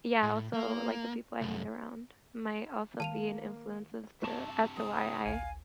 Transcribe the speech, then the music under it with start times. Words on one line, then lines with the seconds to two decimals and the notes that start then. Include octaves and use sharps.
yeah, also like the people I hang around might also be an influence as to as to why I
0.23 A2
0.54 A#3
1.41 C2 F#2
3.00 D#3 A#3 F5 A5 D#7 F7
4.24 G2 C3 A5 C#6 D6
4.77 D#6
5.26 A1 D2 F5 G#5